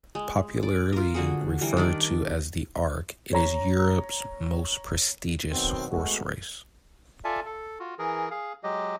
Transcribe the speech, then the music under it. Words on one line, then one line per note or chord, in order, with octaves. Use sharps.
Popularly referred to as the "Arc", it is Europe's most prestigious horse race.
G#3
D5
F4 A#4
D3 F#4 G#4
E3 G3 A#4
D#3 D4 D5
C#5 A#5
B2 D#3 F#3 B3 C4
G#3 A3 B3 F#4
F4 A4 D5 E5 G#5 A5
A4
F4 F#4
E3 G#4 A#4
G#4 F5
F#3 G#3 G4 D#5